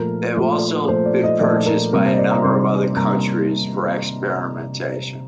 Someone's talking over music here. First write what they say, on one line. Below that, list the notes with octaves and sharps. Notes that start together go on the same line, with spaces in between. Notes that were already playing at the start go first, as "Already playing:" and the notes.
They have also been purchased by a number of other countries for experimentation.
Already playing: A#2 F3 A3 A#4
A#2 F3 A3
A#2 F3 A3 C5
D5
D#5
A#2 F3 A3 D5
A#4
C3 G3 A#3 A#4
C5
D#5
D5
A#5
C3 G3 A#3 C6
C3 G3 A#3 A#5